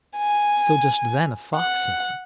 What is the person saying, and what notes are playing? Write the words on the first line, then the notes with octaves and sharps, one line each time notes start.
So just then a Fox met him.
G#5
F#5